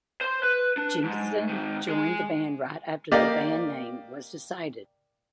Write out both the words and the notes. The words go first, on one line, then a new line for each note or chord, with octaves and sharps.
Jenkinson joined the band right after the band name was decided.
C5 C6
B4
D4
G#2
G#2 D#3
G#3 G#4
A#3 G4 D5 D#5 F5